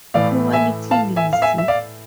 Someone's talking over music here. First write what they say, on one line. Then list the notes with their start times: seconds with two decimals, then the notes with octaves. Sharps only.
Poor little Lizzy!
0.14 A2 E3 A3 D5 F5
0.53 E5 G#5
0.91 F5 A5
1.16 E5 G#5
1.33 F5
1.42 E5 G#5
1.58 E5
1.68 D5 F5